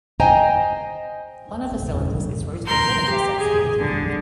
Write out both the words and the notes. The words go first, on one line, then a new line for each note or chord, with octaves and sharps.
One of the cylinders is rotated at a set speed.
C5 D#5 G5 G#5 A#5
A#4 C6 G6
G4
G#4
D3